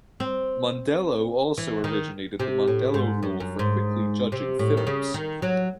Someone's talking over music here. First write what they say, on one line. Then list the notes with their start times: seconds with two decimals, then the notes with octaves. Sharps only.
Mondello also originated the Mondello Rule for Quickly Judging Films.
0.20 C4
1.58 E3
1.84 D#3
2.40 C3
2.68 A2
2.94 G#2
3.23 F#2
3.40 F#2
3.59 G#2
4.32 C3
4.59 A2
4.77 D#3
4.87 C#3
5.14 D#3
5.42 F#3